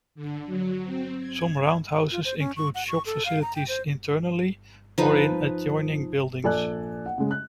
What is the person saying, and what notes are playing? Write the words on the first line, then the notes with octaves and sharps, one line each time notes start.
Some roundhouses include shop facilities internally or in adjoining buildings.
D3
F#3
C4
G#6
F4
C5
C#4
C#6
F#5
C#6
A4
F5
A#5
G5
C5
F3 D#4 B4
A#1 A4 D5 G#5 F#6
F#5
C#3 G#3
F#6